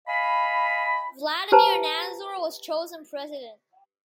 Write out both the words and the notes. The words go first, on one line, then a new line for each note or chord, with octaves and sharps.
Vladimir Nazor was chosen president.
D#5 F5 G#5 B5
G4 B4 C5 A5 A#5